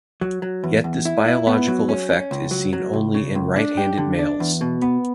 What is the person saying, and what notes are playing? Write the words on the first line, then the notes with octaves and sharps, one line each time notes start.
Yet this biological effect is seen only in right-handed males.
F#3
F#3
E2
E2
E4
E4
B3
F#3
C#4
C#4
C#2
F#3
F#3
C#2
C#3
C#2
D4
G4
D3
D4
E2
B2
B3